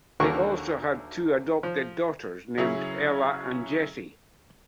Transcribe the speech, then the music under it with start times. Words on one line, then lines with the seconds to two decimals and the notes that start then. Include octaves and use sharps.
They also had two adopted daughters named Ella and Jessie.
0.20 D#2 D3 E3 F#4 A#4 C#6
1.63 F3
2.57 C#3 F#3 C#4 E4 G#4